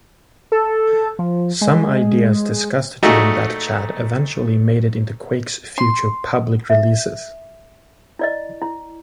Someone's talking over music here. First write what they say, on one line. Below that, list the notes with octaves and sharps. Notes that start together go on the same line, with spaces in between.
Some ideas discussed during that chat eventually made it into Quake's future public releases.
A4
F3
G#3
A#2 A3 D#4 F#4 G#4
C6
E5
E4 D5 D#5
E4